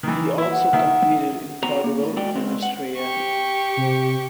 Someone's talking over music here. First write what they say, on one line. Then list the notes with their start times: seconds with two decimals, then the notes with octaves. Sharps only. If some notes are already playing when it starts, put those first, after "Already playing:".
He also competed in Portugal and Austria.
0.03 D#3 E3
0.38 E4 E5
0.52 F#5
0.73 D#3 E5
1.63 B3 C4 F#4 A#5
1.84 A#3
2.00 A2
2.17 G#3 F#4 D5 G5
2.35 G#3 B3 C4
2.62 F#5
2.97 G4 C#6
3.77 C3